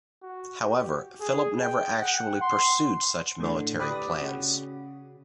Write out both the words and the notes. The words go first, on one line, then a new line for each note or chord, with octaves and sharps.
However, Philip never actually pursued such military plans.
F#4
G4
G#4
G5
F#5
C6
A2 D3
G4 B4 D5 B5 D6 D#6
C#3 F#4